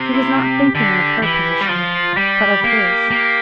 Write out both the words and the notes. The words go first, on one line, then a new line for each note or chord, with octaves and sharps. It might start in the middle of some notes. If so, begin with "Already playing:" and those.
She was not thinking of her position, but of his.
Already playing: C3
E4
G4
D3 G4
E3 G4
G3
F3 F4
G3 G4
A#3
A#3